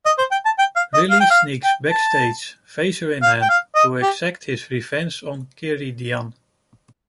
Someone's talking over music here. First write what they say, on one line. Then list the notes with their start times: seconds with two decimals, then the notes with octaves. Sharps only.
Riley sneaks backstage, phaser in hand, to exact his revenge on Karidian.
0.06 D#5
0.18 C5
0.31 G5
0.46 A5
0.58 G5
0.76 F5
0.94 D#5
1.11 F5
1.20 G5
1.30 F5
1.64 G5
1.91 A5
3.23 F5
3.42 G5
3.49 F5
3.75 D#5
4.02 G4